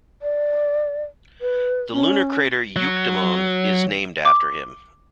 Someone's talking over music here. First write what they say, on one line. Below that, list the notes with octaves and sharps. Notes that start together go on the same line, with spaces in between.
The lunar crater Euctemon is named after him.
D5
B4
C#4
F#3
D6